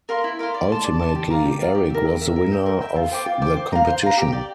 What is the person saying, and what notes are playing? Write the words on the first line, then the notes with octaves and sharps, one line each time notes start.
Ultimately, Eric was the winner of the competition.
A#4 F5 C6
E4
A#4 F5 C6
D5
A5 C6
D5
A5 C6
G4
D5 F5 A#5
G4
D5 F5 A#5
G4
A#4 E5
G4
A#4 E5
A#4
E5 G5
A#4
E5 G5
F4
C5 G5 D6
F4
C5 G5 D6
C5
F5 A#5
C5
F5 A#5
G4
D5 G5